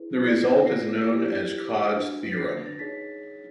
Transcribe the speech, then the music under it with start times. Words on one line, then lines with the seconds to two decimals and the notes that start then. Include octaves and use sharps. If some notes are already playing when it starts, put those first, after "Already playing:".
This result is known as Codd's theorem.
Already playing: E4 G#4 B4
0.23 E4 G#4 B4 D5 A#6 C7
0.66 A#6 C7
1.09 E4 G4 C5
1.94 D4 F#4 B4
2.37 A#6 C7
2.66 A6
2.72 A#6
2.79 D#4 G#4 C#5 A6 B6